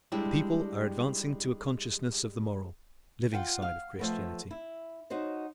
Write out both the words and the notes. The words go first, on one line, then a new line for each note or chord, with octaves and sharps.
The people are advancing to a consciousness of the moral, living side of Christianity.
G3 G#3 D4 E4 G4
F4 F#5 G5
F5
F3 A3 B3
E4
D#4 F#4 C5 C#5